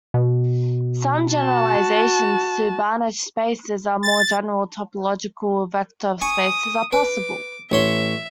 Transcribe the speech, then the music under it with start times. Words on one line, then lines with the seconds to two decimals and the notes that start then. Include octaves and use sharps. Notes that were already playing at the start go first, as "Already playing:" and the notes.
Some generalizations to Banach spaces and more general topological vector spaces are possible.
0.14 B2
1.34 F#4 A5
4.03 A6
6.21 G#5 C#6 D#6
6.93 B4 D6
7.72 A1 C#5 E5 C6